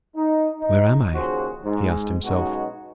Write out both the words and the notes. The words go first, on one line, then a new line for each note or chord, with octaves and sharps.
"Where am I?" he asked himself.
D#4
D#4
D#2 C#3 F3 F#4 G#4 C5
G#2
B1 B2 G#3 C#4 D#4 F#4